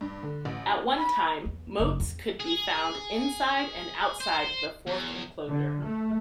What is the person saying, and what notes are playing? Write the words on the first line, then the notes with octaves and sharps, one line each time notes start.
At one time, moats could be found inside and outside the fourth enclosure.
G2
D3
A1
B5
E2
F#1
E2
G#4
C5
E2
D3
A3